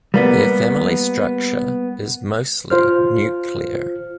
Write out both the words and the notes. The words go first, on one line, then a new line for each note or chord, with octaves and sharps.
Their family structure is mostly nuclear.
G3 A#3 B3
F4 C5 F6